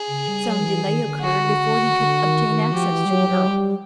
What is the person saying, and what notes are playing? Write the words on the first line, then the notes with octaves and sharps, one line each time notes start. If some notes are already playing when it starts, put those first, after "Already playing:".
Some delay occurred before he could obtain access to the earl.
Already playing: G#4
C#3
G3
F#3
D#3
E3
D#3
D3
F#4
D3
D#3
D#3
F3 G4
E3
G3
F#3
F#3
G3